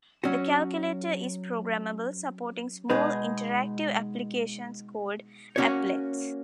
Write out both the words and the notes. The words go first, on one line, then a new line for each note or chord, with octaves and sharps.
The calculator is programmable, supporting small, interactive applications called "aplets".
F#3 C#4 F#4
B2 G#3 D#4 G#4 B4
A#3 C#4 F#4 C#5